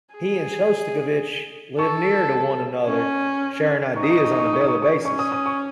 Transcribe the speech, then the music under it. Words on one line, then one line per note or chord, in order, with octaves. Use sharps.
He and Shostakovich lived near to one another, sharing ideas on a daily basis.
G#4
A4 C#6
C#4 C#6
D#4 C#6
D#6
C#6
D#6
C#6
D#6
C#6
D#6
C#6
D#6
C#6
D#6
C#6
C#4 C#6
D#6
D#6
C#6